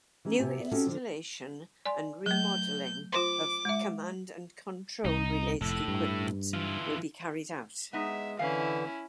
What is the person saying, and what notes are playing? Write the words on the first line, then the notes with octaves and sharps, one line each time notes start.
New installation and remodeling of command and control related equipment will be carried out.
E3 C#4 D#4
C3 B3 F#4 G4 G#5
G#4 D5 E5
C4 C#4 D#4 F#4 G4 A4
D3 F3
D5 G#5 C6
F#3 A3 G6
F4 C5 C6 D6
G#3 E5
C2 D#4
F1 A2 A4
G2
E3 F4
G#3 B3 D#4 E5
D3 E3 C#4 E4 F5